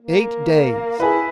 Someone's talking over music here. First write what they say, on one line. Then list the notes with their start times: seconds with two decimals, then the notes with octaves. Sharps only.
Eight days!
0.01 A#3
1.00 E4 G#4 B4